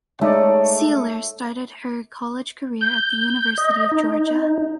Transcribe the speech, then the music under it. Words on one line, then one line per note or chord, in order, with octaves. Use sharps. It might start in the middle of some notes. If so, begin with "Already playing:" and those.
Seiler started her college career at the University of Georgia.
G#3 A3 D#4 C#5 D5
G6
D#5
D#4